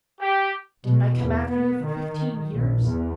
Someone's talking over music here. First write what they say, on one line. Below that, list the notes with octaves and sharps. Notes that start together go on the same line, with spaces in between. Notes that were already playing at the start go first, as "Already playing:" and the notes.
Didn't I come after you for fifteen years?
G4
B2
E2
B3
D#3
A#1
E2